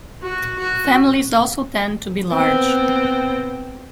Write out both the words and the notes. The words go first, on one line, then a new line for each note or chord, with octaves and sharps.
Families also tend to be large.
F#4
F#4
B3 C4